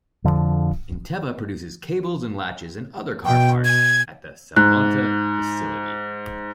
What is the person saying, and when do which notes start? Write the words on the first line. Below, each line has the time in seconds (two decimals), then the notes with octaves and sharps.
Inteva produces cables and latches and other car parts at the Salonta facility.
0.24 F2 D3 F3
3.25 B2 G5
3.65 G#6
4.56 G#2 F#6